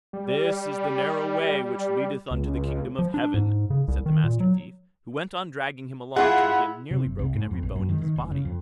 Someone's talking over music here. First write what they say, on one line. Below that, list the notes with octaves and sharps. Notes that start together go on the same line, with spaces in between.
'This is the narrow way which leadeth unto the kingdom of heaven', said the Master Thief, who went on dragging him along till he had nearly broken every bone in his body.
G3
C#2
F3
D4
G#2
C#3
C2
D#3
A#2
F#3
E4 F4 G#4 F#5
C3
F#1
C2
G#2
F2
A#1
F#2
D#3
D#3
F1
C#3
F2